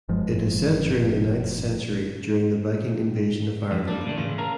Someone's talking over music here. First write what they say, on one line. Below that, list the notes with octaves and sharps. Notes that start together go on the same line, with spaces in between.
It is set during the ninth century during the Viking Invasion of Ireland.
F#1 G2 F3 G#3
F2
G3 A#3 D4
A#2 D3 A3
A2 C#3 E3 F4
A#4 C#5 F5 A5 A#5